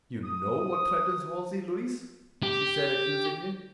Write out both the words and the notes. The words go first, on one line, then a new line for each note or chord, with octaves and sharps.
"You KNOW what threatens Halsey, Louise," she said accusingly.
D#6
G4